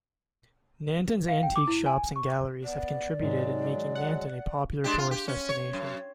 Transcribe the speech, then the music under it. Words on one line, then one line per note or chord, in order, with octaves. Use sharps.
Nanton's antique shops and galleries have contributed in making Nanton a popular tourist destination.
F5
G5
D6
E4
G#5
C#6
B3 D5
G#2 D#3 F#3 G#3
F#5
G#3 D4 G4
F4
G4
C#4
C#5
F#2